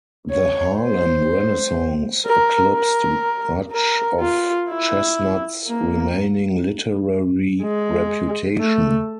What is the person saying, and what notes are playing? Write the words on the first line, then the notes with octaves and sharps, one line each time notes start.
The Harlem Renaissance eclipsed much of Chesnutt's remaining literary reputation.
C#5
C5
A#4
A#4
A#4
F4
E4
A#3
G#3
A3